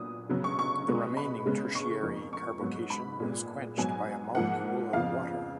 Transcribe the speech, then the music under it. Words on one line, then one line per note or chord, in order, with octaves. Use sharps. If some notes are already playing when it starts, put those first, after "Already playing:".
The remaining tertiary carbocation is quenched by a molecule of water.
Already playing: A#2 F#3 B3 D#6
C#3 F#3 B3
C#6
C#6
B2 G#3 B3
B5
C#3 G#3 B3
C#6
F2 F3 A#3
C#6
G#2 F#3 B3
B5
A#2 G#3 B3
G#2 F#3 B3 G#5
G#2 F3 A#3 F#5
F2 C#3 F3 B3 F5